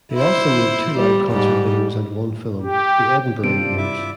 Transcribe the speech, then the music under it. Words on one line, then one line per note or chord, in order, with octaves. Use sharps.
They also made two live concert videos and one film, "The Edinburgh Years".
E4 C5
G3
G#2 G3
G4
G2 C3 D#3 F4 A4 C5 D5 D7
E4 E5 D6